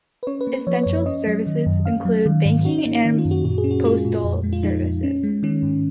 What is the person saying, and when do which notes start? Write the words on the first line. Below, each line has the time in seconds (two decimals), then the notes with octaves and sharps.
Essential services includes banking and postal services.
0.23 B4
0.27 C#4 C#5
0.41 B4
0.47 A#3
0.53 B4
0.67 F3 C#5
0.75 B4
0.83 C#5
0.86 F#2
1.06 C#4 D#5
1.27 F#3
1.47 D#3
1.66 F#2
1.85 C#4 F5
2.05 F#3
2.26 D#3
2.45 G#2
2.65 C#4 F#4
2.78 D#4
2.85 A#3
2.91 C#4
3.05 D#3 D#4
3.18 F4
3.25 F#2
3.31 F#4
3.44 A#2 F#4
3.58 G#4
3.64 C#4
3.71 F#4
3.84 G#3 F4
4.05 A#2
4.24 F2
4.43 G#3
4.53 F4
4.63 F3 D#4
4.83 F2
5.03 C#4
5.23 G#3
5.43 D#3 C#4
5.63 G#2